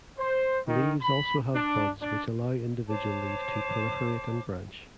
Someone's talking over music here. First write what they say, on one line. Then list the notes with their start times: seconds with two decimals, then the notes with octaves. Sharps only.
Leaves also have buds which allow individual leaves to proliferate and branch.
0.17 C5
0.66 D#3
1.00 B5
1.54 D4
2.00 D4
2.88 C5 C#5 A5 D6